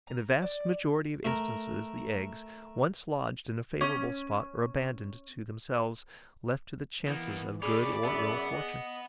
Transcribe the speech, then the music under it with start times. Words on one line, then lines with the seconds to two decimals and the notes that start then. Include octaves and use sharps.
In the vast majority of instances, the eggs, once lodged in a favourable spot, are abandoned to themselves, left to the chances of good or ill fortune.
0.07 A#5
0.42 D5
1.25 A3 A#4
3.81 C#4
7.07 D#3 E3 A#3 B3
7.62 D#2 C#4 G#4 D5 B5 D6
8.04 F#2 B3 G#4 E5 B5
8.53 D#5